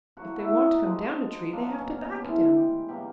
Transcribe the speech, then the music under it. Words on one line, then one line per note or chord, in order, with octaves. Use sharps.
If they want to come down a tree they have to back down.
D3 F#3 A#3 F#4
E4
D#4
D3 F3 G#3
B2 F#3 A#3 D4
C#4
C#4
A2 E3 G#3 D4
G4
B2 F#3 A#3 G4